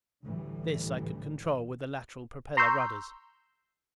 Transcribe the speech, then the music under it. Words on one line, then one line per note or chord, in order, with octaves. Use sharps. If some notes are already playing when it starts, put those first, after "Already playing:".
This I could control with the lateral propeller rudders.
D2 A2 D3 E3 G3
A#5 C6 C#6 E6 G6